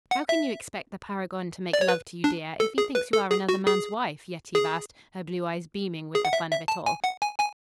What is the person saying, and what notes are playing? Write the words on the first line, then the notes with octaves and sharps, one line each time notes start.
"How can you expect the paragon to make love to you, dear, if he thinks you are another man's wife?" Yetive asked, her blue eyes beaming with the fun of it all.
F#5
E5
D5
C#5
B4
D4
A4
G#4
B4
A4
G#4
F#4
G#4
G#4
G#4
F#5
E5
E5
A5
G#5
F#5
G#5
G#5